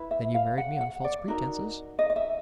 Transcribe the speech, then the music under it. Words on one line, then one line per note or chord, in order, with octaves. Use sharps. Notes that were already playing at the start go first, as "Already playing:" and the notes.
'Then you married me on false pretences?'
Already playing: E4 B4
E5
F5
F#5
F#5
D5
D#4 F#4 A#4
D#5
D#5
E5